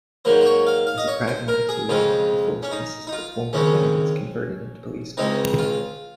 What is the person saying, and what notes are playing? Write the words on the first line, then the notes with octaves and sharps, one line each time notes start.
As a pragmatic solution, the force consisted of former bandits converted into policemen.
G#2 F#3 A#3 C5
C5
C#5
F5
F5
D#5
C#5
C5
A#4
G#4
F2 C#3 G#3 C4 F4
C#4
D#4
D#4
F4
D#2 C#3 G#3 C4 C#4
C#2 C#3 G#3 C4 D#4
F4